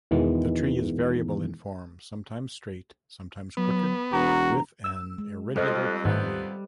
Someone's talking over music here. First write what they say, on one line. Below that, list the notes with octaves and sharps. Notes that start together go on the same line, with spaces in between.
The tree is variable in form, sometimes straight, sometimes crooked, with an irregular crown.
E2 B2 D#3 E3 G#3 B3
F#3 B3
E1 F#4 A#5
E6
G#3
F2 G3 A4 C5 D#5 F#6
G#2 C3 D#3 F3 B3